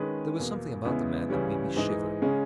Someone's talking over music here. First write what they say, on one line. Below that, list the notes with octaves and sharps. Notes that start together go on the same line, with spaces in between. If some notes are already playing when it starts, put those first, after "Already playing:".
There was something about the man that made me shiver.
Already playing: D#3 G#3 C#4 G#4 B4
E2 B2 A#3
E2 C#3 G#3 B3 E4
C#2 C#3 E3 G3 C#4
G#2 E3 G#3 D#4
C#3 G#3 C#4 G#4